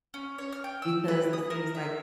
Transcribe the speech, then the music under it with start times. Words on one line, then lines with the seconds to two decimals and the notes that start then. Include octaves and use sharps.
because it seems like
0.14 C#4
0.38 C#5
0.52 F6
0.64 G5
0.82 E6
1.08 B4
1.33 D#6
1.50 A#4
1.75 E5